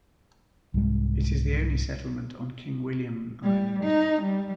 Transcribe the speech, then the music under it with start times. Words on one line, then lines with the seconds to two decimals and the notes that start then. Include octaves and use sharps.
It is the only settlement on King William Island.
0.74 C2 G#2 G3 G#3
3.43 G3
3.84 D#4
4.22 G3